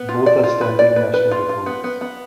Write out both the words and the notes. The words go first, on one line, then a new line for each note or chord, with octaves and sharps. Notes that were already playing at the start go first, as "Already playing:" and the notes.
Both are standing national records.
Already playing: B3
F4
D5
F4
B4
D5
B4
B4
F4
F4
B3
B3
B3